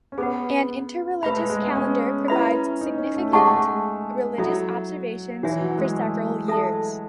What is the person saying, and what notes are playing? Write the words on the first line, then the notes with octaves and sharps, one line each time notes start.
An inter-religious calendar provides significant religious observations for several years.
C#4
B3 G#4 B4 F#5
B3
A3 B4 E5 B5
G#3
G#3
B3
C#4
E4 B4 E5 B5
D#4
C#4
A3
G#3 G#4 D#5 F#5 A5 C#6
A3
G#3
F#3 E4 A4 C#5 E5 B5
E3 F#4 C#5 E5 G#5
F#3
G#3
A3
A4 E5 A5